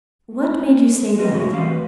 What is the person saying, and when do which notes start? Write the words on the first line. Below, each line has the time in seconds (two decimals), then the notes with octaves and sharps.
"What made you say that?"
1.17 C4 B4 D#5
1.32 F#3 A3 C#4 F#4 A#4
1.51 E3 G3 A3 C4 F5
1.71 B4